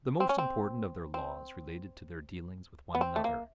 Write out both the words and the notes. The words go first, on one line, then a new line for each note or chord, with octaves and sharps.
The most important of their laws related to their dealings with one another.
C4
C#4
C4
C4
B3
C4
A3
A#3